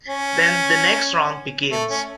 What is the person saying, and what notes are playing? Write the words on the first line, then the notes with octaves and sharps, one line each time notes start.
Then the next round begins.
C#4
A3
C#4